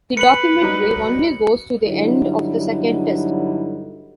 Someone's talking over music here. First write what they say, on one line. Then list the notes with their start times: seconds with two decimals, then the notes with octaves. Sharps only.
The documentary only goes to the end of the second test.
0.17 B4 C#7 F#7
0.61 F#3 G3 D#4
1.87 G2 D3 F#3 G3 D#4 E4